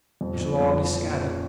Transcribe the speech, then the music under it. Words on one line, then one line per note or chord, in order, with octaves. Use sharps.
We shall all be scattered.
F2
F2
F2
F3
A#2
C#4